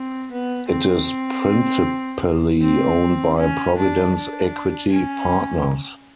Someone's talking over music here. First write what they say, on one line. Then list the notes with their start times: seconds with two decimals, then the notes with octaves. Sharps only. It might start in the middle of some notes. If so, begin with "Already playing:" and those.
It is principally owned by Providence Equity Partners.
Already playing: C4
0.31 B3
0.69 C4
2.62 C4
3.39 C#4
3.78 D4
4.15 D4
4.92 C#4